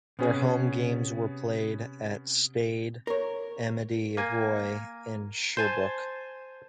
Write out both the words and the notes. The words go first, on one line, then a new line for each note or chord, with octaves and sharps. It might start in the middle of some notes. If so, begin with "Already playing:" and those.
Their home games were played at Stade Amedee Roy in Sherbrooke.
C3 B3 C#4 G#4
A#4 C#5
A#3 G#5
C5 G#5 A5